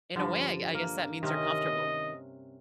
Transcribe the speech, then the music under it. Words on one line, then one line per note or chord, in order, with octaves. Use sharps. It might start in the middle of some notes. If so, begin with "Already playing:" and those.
in a way, I g I guess that means they're comfortable.
G2 D3 F3
A#3
C3 D#3 C#4 D#5